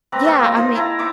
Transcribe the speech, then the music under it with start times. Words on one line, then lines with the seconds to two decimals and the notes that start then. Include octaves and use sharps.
Yeah, I mean
0.12 C4 B4 D5 A#5
0.25 A3 E5 A5 A#5
0.41 A#3 F4 D5 D#5
0.56 D#4 F4 C5 D#5
0.75 E4 A5 A#5
0.99 D#4 E5 A#5 D6